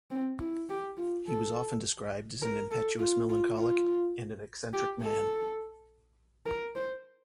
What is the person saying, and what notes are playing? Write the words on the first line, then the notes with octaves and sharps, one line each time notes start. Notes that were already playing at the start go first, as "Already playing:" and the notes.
He was often described as an impetuous melancholic and an eccentric man.
C4
E4
G4
F4
A4
A#4
A4
F4
F4
F4
G4
A4
A#4
C5